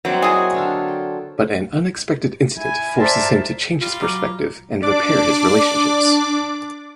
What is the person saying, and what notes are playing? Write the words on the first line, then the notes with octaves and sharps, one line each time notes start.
But an unexpected incident forces him to change his perspective and repair his relationships.
F#3 G3 A#3 C4 D#4
E4 G#4 G#5
D3 F4 A4
G5
E4 G#5
A#4 C5 D5 E5 A5 A#5
G3 F4
F#3 A#5 D6
D4 D5 D6